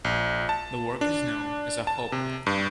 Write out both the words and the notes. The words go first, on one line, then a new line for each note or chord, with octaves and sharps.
The work is known as "Akhob".
A#1
A5
D4
A5
C3
G2